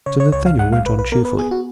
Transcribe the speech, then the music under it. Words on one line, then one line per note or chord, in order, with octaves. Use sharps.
Sir Nathaniel went on cheerfully.
C#3 C#5
C#5
C#2 C#5
F5
G#3 F#5
F5
B1 B4
B4
B3 A#4
B4
B3 G#4
F#4